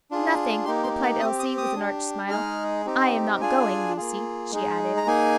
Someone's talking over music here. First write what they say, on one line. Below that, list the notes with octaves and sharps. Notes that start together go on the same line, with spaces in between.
"Nothing," replied Elsie, with an arch smile, "I am not going, Lucy," she added.
D4 F4 G#4
A#3 D#4 G4 C6
C6
D6
C4 G4 D#6
D#6
D#6
D4 G4
G#3 D#4 G#4 F6
C4 D#4 G4
D4 F4 G#4 G#5
A#3 F4 G#4
G#3 D#4 G#4
A#5
A#3 D#4 G#4 G#5